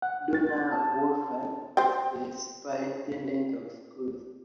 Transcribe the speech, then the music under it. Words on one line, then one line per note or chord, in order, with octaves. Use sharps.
Donna Wolfram is the Superintendent of Schools.
F#5
A6
A5
C5 G5